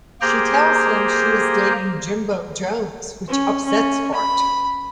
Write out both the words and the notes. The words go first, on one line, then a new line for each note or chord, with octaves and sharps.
She tells him she is dating Jimbo Jones, which upsets Bart.
A#3 G4 G#4 C5 G5 A#5
C#4
C#4
B5